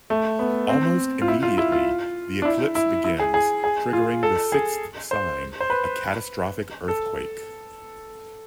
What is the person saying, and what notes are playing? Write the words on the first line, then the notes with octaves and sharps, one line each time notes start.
Almost immediately, the eclipse begins, triggering the sixth sign, a catastrophic earthquake.
A3
B3
C4
F4
E4
F4
E4
F4
D4
E4
E4
E4
G#4
G#4
G#4
F4
A4
G#4
C5
C5
B4
A4